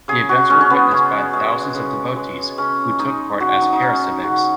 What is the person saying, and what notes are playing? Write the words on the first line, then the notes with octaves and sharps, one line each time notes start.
The events were witnessed by thousands of devotees who took part as "Karasevaks".
C#3 G#4
F#4
G#3 C#4
C#4
B3
C#3
G#3
C#3
G#3
C#3 C#4
G#3 D#4
C#3 F#4
D#4
D#4
G#3 C#4
C#3 F#4